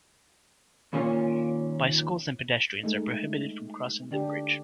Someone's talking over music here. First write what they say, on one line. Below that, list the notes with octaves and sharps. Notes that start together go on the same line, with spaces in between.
Bicycles and pedestrians are prohibited from crossing the bridge.
D#2 A#2 C#4 F4 C#5
G#3 A3 D#4
D3 D4 G4